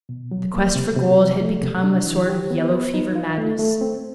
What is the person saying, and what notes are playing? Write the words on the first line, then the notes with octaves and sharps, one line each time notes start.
The quest for gold had become a sort of yellow-fever madness.
B2
F#3
A#3
C3
C3
F3
A3
C3
D4
E3
G4
B3
B4
D#4
F4
A3
A3
C4